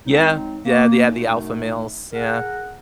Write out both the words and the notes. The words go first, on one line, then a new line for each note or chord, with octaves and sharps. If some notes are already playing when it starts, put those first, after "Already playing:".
Yeah. Yeah, they have the alpha males. Yeah.
F#3 G#3 C4 D#4
A#3
F#2 B2 A3 D#4
G#4 A#4 F#5